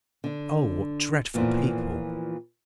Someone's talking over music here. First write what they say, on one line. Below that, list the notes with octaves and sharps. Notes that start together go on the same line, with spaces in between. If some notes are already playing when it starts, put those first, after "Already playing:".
Oh, what dreadful people!
D3 D4
E2 A#2 E3 F3 A#4 D5